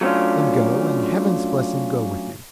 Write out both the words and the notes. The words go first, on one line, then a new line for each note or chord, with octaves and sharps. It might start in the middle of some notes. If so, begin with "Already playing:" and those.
Then go, and Heaven's blessing go with you.'
F#3 A3 B3 C#4 D4 F4